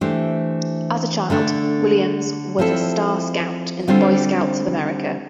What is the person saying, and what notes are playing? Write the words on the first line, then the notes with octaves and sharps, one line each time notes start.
As a child, Williams was a Star Scout in the Boy Scouts of America.
E3 A3 D4 G4 C5
D3 A3 D4
F3 C4 E4 A4
D3 G3 C4 F4 C5